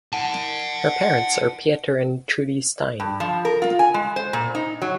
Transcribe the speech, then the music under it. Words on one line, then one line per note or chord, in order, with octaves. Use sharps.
Her parents are Pieter and Trudie Steyn.
F#5 A5
G2
F3
A#4
F4
G#5
G#3
C5
A#2
D#4
F#3